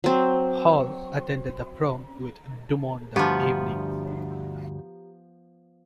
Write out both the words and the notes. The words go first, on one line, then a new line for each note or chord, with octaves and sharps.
Hall attended the prom with Dumond that evening.
F#3 C4
D2 G2 F3 B3 G4 A#5